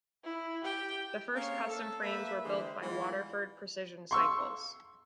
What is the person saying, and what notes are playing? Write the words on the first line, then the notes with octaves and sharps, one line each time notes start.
The first custom frames were built by Waterford Precision Cycles.
E4
G4 G5
A#3 C4 C#4 G#4 C#5 F5
A4
G3 A#3 B4 E5
D3 E3 G3 G#3 G4 C5
E3 G#3 B3 F4
C6 C#6 E6